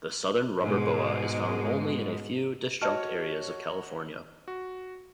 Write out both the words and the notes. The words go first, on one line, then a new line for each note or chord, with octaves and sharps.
The southern rubber boa is found only in a few disjunct areas of California.
G#2 B2 G#3
F#4 C#5 D#5 A5 F6
F#4